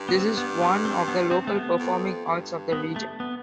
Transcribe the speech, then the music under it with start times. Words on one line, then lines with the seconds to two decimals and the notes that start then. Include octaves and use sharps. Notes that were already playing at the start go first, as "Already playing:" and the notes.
This is one of the local performing arts of the region.
Already playing: G2
0.09 B3
0.15 C4
0.37 B3
0.62 B3
0.85 C4
1.08 B3
1.31 C4
1.47 A3
1.55 B3
1.79 F2
2.26 G2
2.73 B3
2.96 A3
3.20 B3